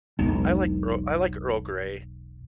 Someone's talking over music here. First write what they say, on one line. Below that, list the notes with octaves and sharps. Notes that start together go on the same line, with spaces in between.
I like Earl I like Earl Grey.
E1 B1